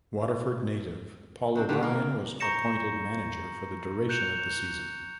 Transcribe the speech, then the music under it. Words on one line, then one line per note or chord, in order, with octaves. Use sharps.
Waterford native, Paul O'Brien was appointed manager for the duration of the season.
F#3 C4 D4
D3 D#3 B3 G4
A#3 A#4
A#5 C#6 G6 A#6 C#7 E7
F#6 G6 C#7 E7 F7